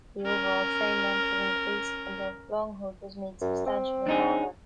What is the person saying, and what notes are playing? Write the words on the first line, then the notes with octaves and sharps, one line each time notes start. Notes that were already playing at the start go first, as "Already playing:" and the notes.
The overall frame length was increased, and the long hood was made substantially longer.
C#4 A#4
F#2
C4
D4 D#4 G#4